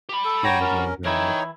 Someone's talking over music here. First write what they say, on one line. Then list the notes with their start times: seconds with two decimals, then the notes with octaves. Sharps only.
his team was going very good.
0.09 G4 B5
0.25 A4
0.44 F#4 C#5 G5 A#5
0.61 C#4 A#4
1.05 E3 D#4 E4 A#4 C#5 G5